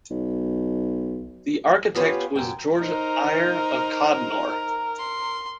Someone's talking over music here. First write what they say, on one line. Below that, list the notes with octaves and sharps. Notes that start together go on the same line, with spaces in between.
The architect was George Eyre of Codnor.
B1
B3 C#4 F4 G4 B4 C#5
F#2 G5
D#4 A#4 C5
C6